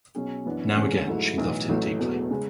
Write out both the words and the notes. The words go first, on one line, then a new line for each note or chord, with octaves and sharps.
Now again she loved him deeply.
B2 F#3 C#4 G#4
F#2 E3 B3 D4
E1 E2 D3 G#3 C#4
G#2 F#3 A3 E4
B1 A2 E3
A1 A2 F#3 A3
E1 E2 B2 F#3 A3
C#3 G#3